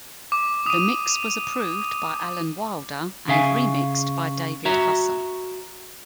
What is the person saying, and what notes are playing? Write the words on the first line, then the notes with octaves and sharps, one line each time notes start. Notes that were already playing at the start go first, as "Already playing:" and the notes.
The mix was approved by Alan Wilder and re-mixed by David Husser.
D6
D#6 D#7
C#3 G#4 E5 F5 G#5
F#4 C#5 E5 A#5